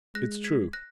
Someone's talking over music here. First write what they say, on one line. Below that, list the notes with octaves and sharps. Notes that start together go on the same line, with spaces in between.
"It's true."
G#3 F#6 A#6
G#6 B6
F#6 A#6